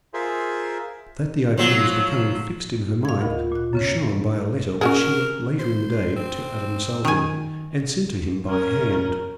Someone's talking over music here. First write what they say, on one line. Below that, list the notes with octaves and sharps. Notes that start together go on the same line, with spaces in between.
That the idea was becoming fixed in her mind, was shown by a letter which she wrote later in the day to Adam Salton, and sent to him by hand.
F4 G#4 A#4 C5 E5
F3 F#3
F5 G#6
D2 A#4 D#5 F#5 B5
F4
A#2 F#6
F#2 C#3 C#4 C#5
C#4 F#4 G#4 A#4
C5
C4
D#3 G#5
C#4 A#4